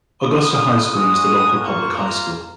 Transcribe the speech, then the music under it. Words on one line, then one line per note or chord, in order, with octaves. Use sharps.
Augusta High School is the local public high school.
B3 F4 D#6
G#3 C#4 F#4 D#6
A#3 F4 C#6
A#5